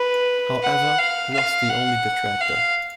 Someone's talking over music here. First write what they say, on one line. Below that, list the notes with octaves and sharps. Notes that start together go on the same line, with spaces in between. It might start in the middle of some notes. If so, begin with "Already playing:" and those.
However, he was the only detractor.
Already playing: B4
F#5
F5
F5
F#5
F5